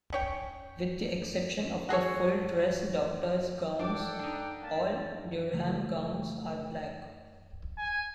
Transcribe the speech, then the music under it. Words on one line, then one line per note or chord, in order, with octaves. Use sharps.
With the exception of the full-dress doctors' gowns, all Durham gowns are black.
C#4 C#5 G5
F#4 G#4 A4 C#5
D4 A4 D5 F#5 G5
D4 D#4
A#3 C#4 A5
C#3 A3
G#5